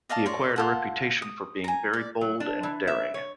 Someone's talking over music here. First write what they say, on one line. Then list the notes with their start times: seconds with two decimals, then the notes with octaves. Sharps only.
He acquired a reputation for being very bold and daring.
0.09 D5 D#5 F5 A5
0.26 A#4 C#5 D5 C6
0.56 F4 A4 F#5
1.22 D#6
1.64 G#5 A#5
1.93 D5
2.21 F#3
2.40 D4
2.63 E3
2.87 E5
3.14 C#5